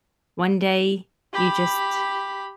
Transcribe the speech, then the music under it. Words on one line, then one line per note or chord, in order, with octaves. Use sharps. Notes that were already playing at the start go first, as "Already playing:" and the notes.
one day, you just
G4 B5